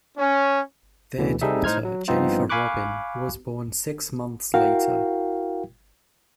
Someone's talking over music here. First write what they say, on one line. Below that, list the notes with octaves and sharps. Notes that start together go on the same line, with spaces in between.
Their daughter, Jennifer Robin, was born six months later.
C#4
D2 B2 D3 E3
G3 C4 D#4 G#4 A4 E5
A2 D#4 C5 F6 G#6
F#3
G2 F3 B3 C4 D#4 F4
F5 G#5 B5 C#6 D6 F#6
E4 F#4 A#4 F5 G5